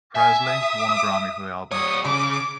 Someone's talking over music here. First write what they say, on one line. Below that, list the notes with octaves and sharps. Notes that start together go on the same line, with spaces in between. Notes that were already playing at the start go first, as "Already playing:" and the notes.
Presley won a Grammy for the album.
E5 G#5
D#6
G3 C#5 D#6
C#3 D6